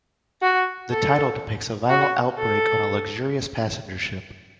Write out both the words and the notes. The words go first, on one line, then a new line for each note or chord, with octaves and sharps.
The title depicts a viral outbreak on a luxurious passenger ship.
F#4
A4
F#4
A4